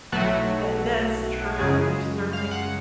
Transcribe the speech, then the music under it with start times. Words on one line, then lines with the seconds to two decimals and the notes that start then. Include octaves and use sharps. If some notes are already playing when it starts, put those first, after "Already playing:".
Tha that's true, you certainly ca
0.12 B1 A2 F#3 A3 F#4
1.59 F#2 C#3 G#3 G#4
2.33 F5
2.51 F#5